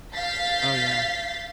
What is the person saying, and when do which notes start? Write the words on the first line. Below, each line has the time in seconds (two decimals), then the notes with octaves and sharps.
Oh, yeah.
0.15 F5 G6 A6 B6 C7